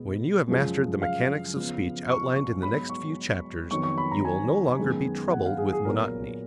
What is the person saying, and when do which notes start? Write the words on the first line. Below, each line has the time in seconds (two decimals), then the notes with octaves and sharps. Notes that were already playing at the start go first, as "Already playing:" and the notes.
When you have mastered the mechanics of speech outlined in the next few chapters you will no longer be troubled with monotony.
Already playing: B2 G#3 B3
0.48 F#2 C#3 F3 G#3
1.02 F5
1.55 C#3 F3 B3
2.10 C#6
2.36 C#6
2.63 G#2 F#3 B3 B5
2.89 C#6
3.71 F2 D#3 F#3 B3 C#6
3.83 C#6
3.98 B5
4.11 A#5
4.25 G#5
4.79 F#2 D#3 G#3 B3
5.32 F#5
5.46 F5
5.58 G#4
5.73 G#4
5.85 A#2 F#3 B3 A#4